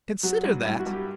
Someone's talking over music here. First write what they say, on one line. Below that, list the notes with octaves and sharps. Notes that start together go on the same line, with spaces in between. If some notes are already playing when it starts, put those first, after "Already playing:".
Consider that!
F#3 F#4
G2
G2 E4
F#4
G2
G4